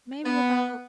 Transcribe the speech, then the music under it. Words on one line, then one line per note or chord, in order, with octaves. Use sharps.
maybe about
B3